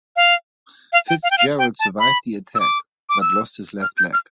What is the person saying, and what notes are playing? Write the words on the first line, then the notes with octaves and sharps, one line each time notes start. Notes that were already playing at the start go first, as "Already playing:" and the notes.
Fitzgerald survived the attack, but lost his left leg.
F5
F5
G5
F5
G5
F5
G5
A5
B5
E6
D6
D6
E6
F6
G6
F6